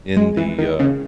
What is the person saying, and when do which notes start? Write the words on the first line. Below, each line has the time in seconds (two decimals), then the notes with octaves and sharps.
in the, uh,
0.17 G#3
0.37 E3
0.58 D#3
0.79 C#3